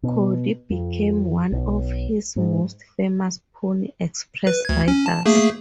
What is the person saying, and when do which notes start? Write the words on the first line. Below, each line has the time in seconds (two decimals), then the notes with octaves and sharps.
Cody became one of his most famous Pony Express riders.
0.03 B2
0.70 F2
1.52 B1
2.36 G#2
4.47 B4
4.65 D2 G#6
4.88 C#4
5.06 A5
5.26 A3 A#3 G#4